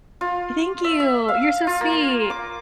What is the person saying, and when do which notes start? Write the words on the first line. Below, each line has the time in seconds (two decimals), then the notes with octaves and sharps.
Thank you. You're so sweet.
0.21 F4
0.84 E5
1.00 E5
1.28 F5
1.67 F4
1.81 A#3
2.30 D6